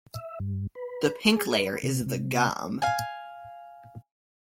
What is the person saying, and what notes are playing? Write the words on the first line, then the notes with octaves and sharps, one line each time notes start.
The pink layer is the gum.
E5
G2
B4
G#4
B4
C3
C3
F5 G#5